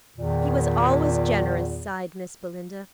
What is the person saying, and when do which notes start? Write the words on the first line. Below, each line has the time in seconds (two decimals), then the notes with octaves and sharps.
"He was always generous," sighed Miss Belinda.
0.17 E2 A#2 D#3